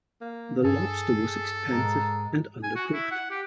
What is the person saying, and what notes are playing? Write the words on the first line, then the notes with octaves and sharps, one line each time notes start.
The lobster was expensive and undercooked.
A#3
G2 G#4 A4 G#5
G#2 G#3 A#4
G#5
F#4
E4
F#5
G4